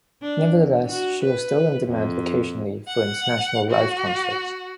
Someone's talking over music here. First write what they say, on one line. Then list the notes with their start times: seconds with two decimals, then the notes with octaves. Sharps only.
Nevertheless, she was still in demand occasionally for international live concerts.
0.22 D4
0.56 E2
0.87 F#4
1.24 B4
1.87 F2
2.88 F#5
3.71 F#4